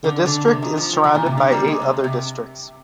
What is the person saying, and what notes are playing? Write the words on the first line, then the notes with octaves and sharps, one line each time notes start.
The district is surrounded by eight other districts.
D3
D3
C3
D#3
F3
F3
D#3
A#2
C3
D3
G3 A#3
G#3
C3
C3